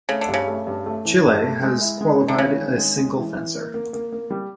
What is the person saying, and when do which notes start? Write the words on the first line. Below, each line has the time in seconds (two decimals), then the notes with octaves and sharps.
Chile has qualified a single fencer.
0.09 C#3 A3
0.21 D3
0.28 G2
0.34 C#3
0.48 A3
0.67 G2
0.86 A3
1.05 E3
1.23 G2
1.43 A3
1.62 G#3
1.81 E4
2.01 G#3
2.20 D#3
2.28 D3
2.38 C#3 G#3
2.58 D#3
2.78 G#3
2.97 G#3
3.16 E3
3.36 E3
3.55 A#3
3.74 A#3
3.93 A#3
4.12 A#3
4.30 G3